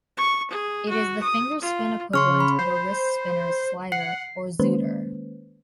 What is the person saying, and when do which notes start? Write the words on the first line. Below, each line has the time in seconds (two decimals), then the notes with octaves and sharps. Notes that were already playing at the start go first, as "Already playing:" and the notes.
It is the finger spin equivalent of a wrist spinner's "slider" or "zooter".
0.17 C#6
0.50 G#4
0.89 F#4
1.22 D#6
1.61 F4
2.13 C#3 C6 C#6 F6
2.40 B5
2.59 C5
3.92 F#5 C7
4.60 D#3 G#3 A#3 C#4 B4 C5